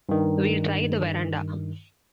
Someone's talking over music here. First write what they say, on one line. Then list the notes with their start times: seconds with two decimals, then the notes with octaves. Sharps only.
We'll try the verandah.
0.09 G2 D#3